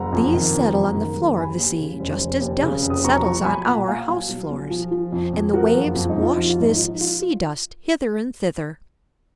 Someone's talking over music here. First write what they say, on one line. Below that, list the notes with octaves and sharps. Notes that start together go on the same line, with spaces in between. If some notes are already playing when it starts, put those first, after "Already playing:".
These settle on the floor of the sea, just as dust settles on our house-floors; and the waves wash this "sea-dust" hither and thither.
Already playing: F#1 F#5 A#5
F2
D#3
F2
F#1
D#3
F#1
D#2 G#5 B5
D#2
C#3
F1
F1
D#2
C#3
F1
D#6
B1 A#5 C#6
F3 A#5 C#6
B1 G#5 B5
A#2 F#5 A#5
A#2 F5 G#5
B1
B1
B1
F3
F3
F2
F2
F3 F#4 A#4
F#1
F4
F2
D#4
F2
F4
F3 D#4
F4
G#1 D#4
F3 F4
D#4
F4